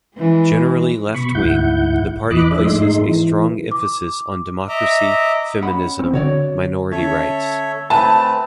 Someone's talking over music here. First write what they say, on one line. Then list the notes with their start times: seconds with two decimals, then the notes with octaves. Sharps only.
Generally left-wing, the party places a strong emphasis on democracy, feminism, minority rights.
0.15 E3 G#3
1.14 B2 B5 C#6
1.35 D2 G#2 E4 F#5 G6
2.31 E2 E3 D#5 B5 D6 F#6
2.51 F3 D4 G#4 E5
2.64 G#2 G#3 A3 D#4 C6
3.06 E3
3.71 D6
4.69 D#5 E5 A#5 D6
5.62 C#4 F#5 B5
5.99 C4
6.13 D3 F#4 C#5 D5
6.92 C#4 A4 C#5 E5
7.90 A3 C4 B4 E5 G#5 A5 B5